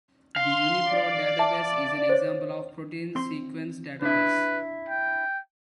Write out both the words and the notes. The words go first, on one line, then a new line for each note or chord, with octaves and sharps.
The UniProt database is an example of a protein sequence database.
F5 C6
D5
E5 A5
C5 C#5
C4 C6
D4 E4 B4
G5